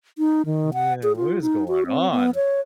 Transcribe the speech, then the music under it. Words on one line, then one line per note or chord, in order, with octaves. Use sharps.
Yeah, what is going on?
D#4
D#3
F#5
G#4
F4
D#4
F#4
C4
B3
C#5